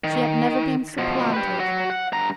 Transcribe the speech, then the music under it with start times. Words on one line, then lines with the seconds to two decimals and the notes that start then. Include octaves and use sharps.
She had never been supplanted.
0.04 D#3
0.98 B2 F3
1.33 G4 B4
1.59 F#3 F#4
1.90 F#5
2.13 G2 A#5